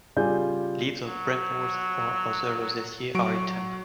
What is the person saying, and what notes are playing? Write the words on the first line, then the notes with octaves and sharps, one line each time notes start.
Leaves of bramble or other Rosaceae are eaten.
C#3 G3 F4 D5 G#5 G6
F#3
F#3 C#6 D7